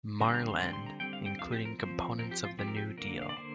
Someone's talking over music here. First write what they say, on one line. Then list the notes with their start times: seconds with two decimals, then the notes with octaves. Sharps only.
Marland, including components of the New Deal.
0.21 D3 G3 C4 A#5
0.34 A#5
0.48 C6
0.60 D3 G3 C4 C6
0.73 C6
0.86 A#5
1.00 D3 G3 C4 G5
1.13 F5
1.26 G5
1.39 F3 C4 F5
1.52 G4
1.65 A#4
1.79 F3 C4 C5
2.19 F3 C4 A#4
2.31 G4
2.44 F4
2.59 F3 C4 G4
2.68 A#4
2.76 G4
2.98 D3 A#3 A#4
3.22 F5
3.29 D5
3.37 D3 A#3 C5